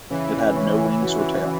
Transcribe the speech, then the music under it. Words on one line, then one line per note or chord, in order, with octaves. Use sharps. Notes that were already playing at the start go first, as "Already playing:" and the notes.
It had no wings or tail.
C#3 E3
C#4
F#4